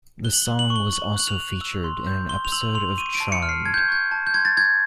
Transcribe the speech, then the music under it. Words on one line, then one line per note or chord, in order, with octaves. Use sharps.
The song was also featured in an episode of "Charmed".
F#6 G7
F#7
G7
F#6
F#7
C#6
G7
C#6 F#7
F#6 F#7
F7
F#6
E6
C6
G6
C6 G7
F7
E6 F#7
C6 F7
C#6 D#7
D7
A5
C#7
F6
C7
A5 G#6
G6
C#6 G6
A5
G6
C6 G#6
A6
G6 G#6